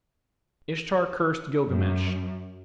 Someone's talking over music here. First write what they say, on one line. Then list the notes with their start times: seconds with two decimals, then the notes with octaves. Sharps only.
Ishtar cursed Gilgamesh.
1.68 F#2